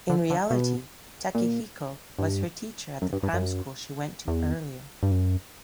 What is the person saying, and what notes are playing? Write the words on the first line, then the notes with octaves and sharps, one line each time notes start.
In reality, Takehiko was her teacher at the cram school she went to earlier.
D3
D3
B2
A#2
G2
F#2
G2
G2
F#2
E2
G2
F#2